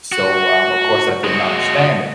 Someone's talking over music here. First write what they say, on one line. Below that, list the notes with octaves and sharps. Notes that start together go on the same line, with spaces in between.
So, um, of course I didn't understand it.
F#4
G#3 F#4